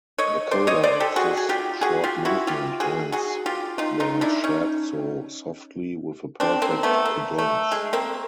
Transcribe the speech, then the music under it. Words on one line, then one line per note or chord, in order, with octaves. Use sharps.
The coda of this short movement ends the Scherzo softly with a perfect cadence.
C#5 D#5
C5 D5
C#5 D#5
C5 D5
G4 A4
F#4 G#4
G#4
F4 G4
F#4 G#4
F4 G4
E4 F#4
F4 G4
F#4 G#4
F#4 G#4
F4 G4
D#4 F4
D#4 F4
D4 E4
C#4 D#4
C4 D4
A#3 C4
A3 B3
A#3
A3
G#3
A#3 C4